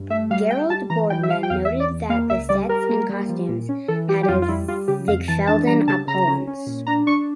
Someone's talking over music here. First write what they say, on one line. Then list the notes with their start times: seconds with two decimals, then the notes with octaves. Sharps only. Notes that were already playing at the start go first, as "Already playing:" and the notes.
Gerald Bordman noted that the sets and costumes had a Ziegfeldian opulence.
Already playing: G2
0.10 A3 E5
0.30 G3 F5
0.51 G3 G5
0.70 G3 A5
0.90 E3 A#5
1.10 E3 G5
1.23 E5
1.30 G3 F5
1.43 G5
1.50 E2 F5
1.65 E5
1.70 E2
1.80 D5
1.90 E2
2.09 A#3 F5
2.30 C#2 E5
2.49 G3 D5
2.69 G3 A#4
2.89 A#3
3.09 G3
3.29 F3
3.49 A#2
3.69 C#4
3.88 E3 A4
4.08 G3 G4
4.23 G4
4.28 F2 F4
4.42 F4
4.48 G3 E4
4.68 G3 F4
4.88 C#3 G4
5.08 F2 F5
5.28 E3 A5
5.47 D4 A5
5.67 G3 A#5
5.87 C#3 A5
6.07 C#3 A#5
6.28 C#4
6.47 C#4
6.66 A#2
6.87 D4 A#5
7.07 D4 C#6